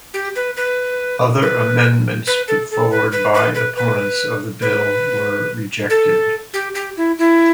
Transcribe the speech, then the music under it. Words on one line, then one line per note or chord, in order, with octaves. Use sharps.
Other amendments put forward by opponents of the bill were rejected.
G4
B4
B4
B4
B4
A4
A4
B4
B4
B4
B4
B4
B4
A4
G4
G4
E4
E4